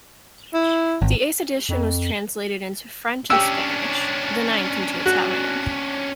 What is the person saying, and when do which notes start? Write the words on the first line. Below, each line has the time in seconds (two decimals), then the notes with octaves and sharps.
The eighth edition was translated into French and Spanish, the ninth into Italian.
0.54 E4
1.02 G#1
1.69 F2
3.30 C#4 D4 G4 E6
5.06 F#4